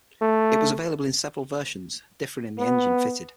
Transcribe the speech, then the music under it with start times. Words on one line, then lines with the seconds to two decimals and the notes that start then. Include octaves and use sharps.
It was available in several versions, differing in the engine fitted.
0.22 A3
2.58 B3